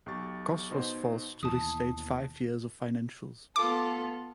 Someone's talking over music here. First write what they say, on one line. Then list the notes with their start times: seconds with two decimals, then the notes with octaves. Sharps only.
Koss was forced to restate five years of financials.
0.06 B1 G4 C#6 A6
0.71 B2 D#4 C5 C6
1.43 D#2 B2 E3 A5 D#6
3.56 B3 F4 A4 D6